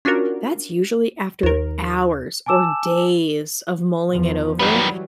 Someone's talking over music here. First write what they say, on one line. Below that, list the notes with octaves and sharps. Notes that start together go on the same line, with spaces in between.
that's usually after hours or days of mulling it over,
C#4 D4 F4 F#4 A#4
D#2 A#4
G#5 A5 D6 E6 E7
E2 F3
D#3 E3 F#3 G3 B3